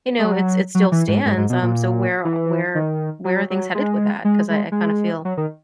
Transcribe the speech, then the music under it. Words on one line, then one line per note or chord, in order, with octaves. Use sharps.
you know, it s it still stands. Um, so where where where are things headed with that? 'Cause I I kinda feel,
G#3
F#3
F#3
E3
G#2
G#2
G#2
B2
A#2
E3
D#3
F#3
F#3
G#3
G#3
G#3
G#3
F#3
D#3